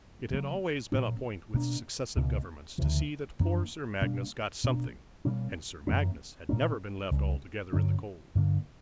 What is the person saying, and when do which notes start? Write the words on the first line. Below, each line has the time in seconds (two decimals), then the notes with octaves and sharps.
It had always been a point with successive governments to see that poor Sir Magnus got something, and Sir Magnus had never been left altogether in the cold.
0.30 C#3 F#3 A#3
0.92 A#2 F#3 A#3 C#4
1.54 B2 A#3 D4
2.16 C#2 B2 A#3
2.78 D2 C#3 E3
3.40 F#2 E3 A#3 D4
4.01 B2 G3 A#3 D4
4.64 B2 A#3 D4
5.25 B2 G3 A#3 C#4
5.87 F#2 E3 A#3 C#4
6.49 A#2 A#3 C#4
7.11 C#2 C#3 G3
7.73 G2 D3 F#3 C#4
8.35 G2 D3 A#3